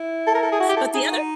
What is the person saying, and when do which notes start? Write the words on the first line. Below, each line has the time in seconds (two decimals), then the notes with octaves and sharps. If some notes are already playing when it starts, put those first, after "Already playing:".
But the other
Already playing: E4
0.27 A4
0.35 A#4
0.43 A4
0.52 G#4
0.60 F#4
0.69 G4
0.77 A4
0.94 D#4 G#4
1.11 F#4